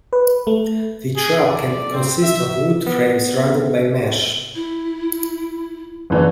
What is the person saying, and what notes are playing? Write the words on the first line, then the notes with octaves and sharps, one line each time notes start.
The trap can consist of a wood frame surrounded by mesh.
B4
A3
G#4
D5
C4
E5
B3
E4
F#1 E3 D5